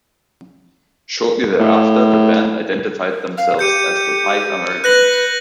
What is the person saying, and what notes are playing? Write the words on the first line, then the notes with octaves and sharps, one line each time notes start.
Shortly thereafter, the band identified themselves as the Five Americans.
A2
F5
G4 G6 C#7 D#7
B4 F#6 A#6 F#7